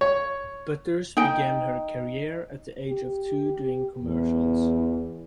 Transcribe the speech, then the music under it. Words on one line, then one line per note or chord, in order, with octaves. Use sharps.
Butters began her career at the age of two doing commercials.
C#5
D#4 G5
G4
E2